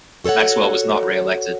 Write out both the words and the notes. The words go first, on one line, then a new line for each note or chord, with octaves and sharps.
Maxwell was not re-elected.
F#4 A4 C5 C#5 F#5